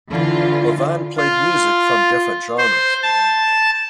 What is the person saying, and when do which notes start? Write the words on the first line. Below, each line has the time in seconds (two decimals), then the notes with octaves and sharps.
Levan played music from different genres.
0.11 D3 E3 F4
1.17 F4
2.58 C5
3.03 A5